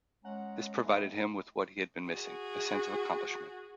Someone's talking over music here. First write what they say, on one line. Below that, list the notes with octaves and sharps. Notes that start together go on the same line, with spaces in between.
This provided him with what he had been missing; a sense of accomplishment.
G#3 C#4 F#5 A#5
D#3 A3 A#3 E4
F#4 G#4